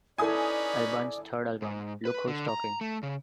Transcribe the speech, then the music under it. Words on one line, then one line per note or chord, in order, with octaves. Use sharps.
Alban's third album Look Who's Talking!
C#4 D#4 E4 A4 B4 D5 G#5 D#6
G#2
B4
D3
A#5
A3
C#3